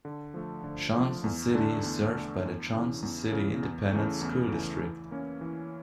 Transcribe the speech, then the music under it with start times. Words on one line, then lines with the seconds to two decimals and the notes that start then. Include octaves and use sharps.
Johnson City is served by the Johnson City Independent School District.
0.05 D3
0.34 F3 A3
0.64 D3
0.94 F3 A3
1.24 E2
1.54 D3 A3 D4
1.83 E2
2.13 D3 A3 D4
2.43 E2
2.73 C#3 E3
3.02 E2
3.32 C#3 E3
3.62 E2
3.92 C#3 E3 A3
4.21 E2
4.51 C#3 E3 A3
4.81 E3
5.11 A#3 C#4
5.41 E3